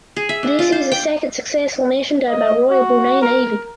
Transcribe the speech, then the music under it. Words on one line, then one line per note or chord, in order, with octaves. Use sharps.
This is the second successful mission done by Royal Brunei Navy.
G#4
E5
D4
F4
C5
G5
D#5
F#4
A#4